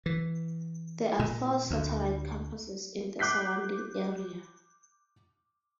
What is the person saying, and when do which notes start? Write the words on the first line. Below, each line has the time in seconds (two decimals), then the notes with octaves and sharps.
There are four satellite campuses in the surrounding area.
0.06 E3
1.19 A#2
1.71 D2
3.19 D6 F#6 G6 B6 C7